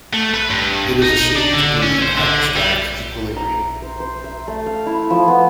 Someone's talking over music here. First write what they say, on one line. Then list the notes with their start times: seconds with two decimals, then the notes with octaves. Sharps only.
It is assumed to be in hydrostatic equilibrium.
0.13 A3
0.34 B4
0.50 G2
1.02 D#4
1.36 D4
1.54 D3
1.83 C#4
2.02 C5
2.18 D3
2.56 G3
3.36 A#5
3.54 E5
3.82 C5
4.00 C5
4.24 E5
4.48 A3
4.66 F5
4.86 E4
5.10 F3
5.28 B3